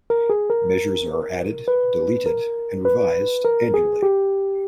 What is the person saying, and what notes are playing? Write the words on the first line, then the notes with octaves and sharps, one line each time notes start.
Measures are added, deleted, and revised annually.
A#4
G#4
A#4
B4
A#4
B4
A#4
G#4
G4